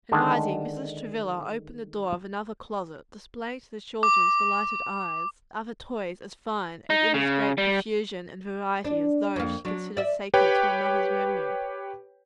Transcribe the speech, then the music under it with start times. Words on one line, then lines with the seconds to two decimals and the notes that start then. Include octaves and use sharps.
And rising, Mrs. Travilla opened the door of another closet displaying to the children's delighted eyes other toys as fine and in as great profusion and variety as those she considered sacred to her mother's memory.
0.12 D3 D#3 G#3 D4
4.03 D6
6.90 D#4
7.14 C#3
7.58 G3
8.84 D4
9.36 F2 A#3
9.65 F#3 D4
9.97 D5 E5
10.34 G4 B4 C#5 G5